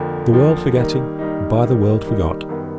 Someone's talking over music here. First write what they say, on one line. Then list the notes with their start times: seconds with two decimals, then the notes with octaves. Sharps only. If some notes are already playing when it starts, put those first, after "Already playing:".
"The world forgetting, by the world forgot."
Already playing: F2 D3 F3 A#3
0.32 F2 D3 F3 A#3
0.76 D#3 G3 A#3 D#4
1.19 D#3 G3 A#3 D#4
1.63 D#3 G3 A#3 D#4
2.05 D#3 G3 A#3 D#4
2.49 F#2 D#3 G3 B3